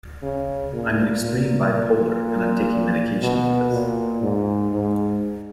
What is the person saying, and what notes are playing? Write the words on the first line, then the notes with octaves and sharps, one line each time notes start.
I'm an extreme bipolar, and I'm taking medication for this ...
C#3
A#2
A#2
A#2
B2
A#2
G#2
G#2